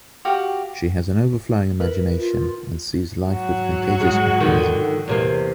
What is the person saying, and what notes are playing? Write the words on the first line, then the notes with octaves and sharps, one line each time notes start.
She has an overflowing imagination and sees life with contagious optimism.
F#4 G4 F5
E4 A#4 B4
F4
G#2 F#3 F#4
G#3
D3 D#3
E2 C3 A#3